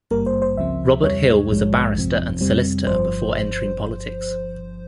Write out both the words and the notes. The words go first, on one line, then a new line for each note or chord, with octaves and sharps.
Robert Hill was a barrister and solicitor before entering politics.
G#1 G2 G3 A#3 A#4
C5
C5
C#2 C#3 F3 C4 E5
E2 C3 G3 C#5
A#1 G#2 F3 G#3
G1 F2 C3 F3 C4
F2 C3 G3 C4
G1 G2 F3 C5